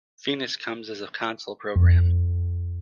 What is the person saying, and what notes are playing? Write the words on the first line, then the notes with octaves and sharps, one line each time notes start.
Fenix comes as a console program.
F2